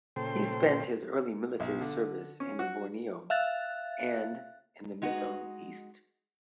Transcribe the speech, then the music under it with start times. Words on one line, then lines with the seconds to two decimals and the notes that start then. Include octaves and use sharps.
He spent his early military service in Borneo and in the Middle East.
0.16 A#2 C#3 A4 C5 G5 C6
1.60 B1
1.81 D3
2.40 C#4
2.59 F#4
3.30 E5 F5 F#6 A6
5.02 G#3 D#4 F#4